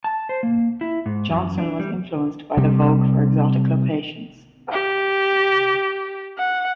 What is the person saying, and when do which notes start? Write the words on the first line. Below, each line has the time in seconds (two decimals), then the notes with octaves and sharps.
Johnson was influenced by the vogue for exotic locations.
0.04 A5
0.29 C5
0.43 A#3
0.81 E4
1.06 G#2
1.30 F#2
1.58 D4
1.80 G3
2.57 C3 G3
4.72 G4
6.38 F#5